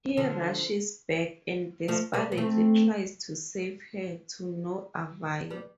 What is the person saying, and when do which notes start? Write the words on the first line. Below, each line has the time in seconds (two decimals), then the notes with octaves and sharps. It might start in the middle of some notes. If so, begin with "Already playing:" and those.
He rushes back and desperately tries to save her, to no avail.
0.17 D3 F3
1.88 F3 A3
2.14 G3 B3
2.32 B3
2.37 A3 C4
5.50 G3 B3